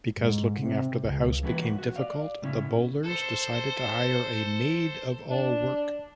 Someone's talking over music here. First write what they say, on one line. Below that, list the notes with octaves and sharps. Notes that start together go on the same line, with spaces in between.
Because looking after the house became difficult, the Bowlers decided to hire a maid-of-all-work.
G#2
C3
C#2
E3 G3 A#3 C#4 F#4 B4
F#4
D5 F5
A2 C#3 C#4 E4
A4 C5
D4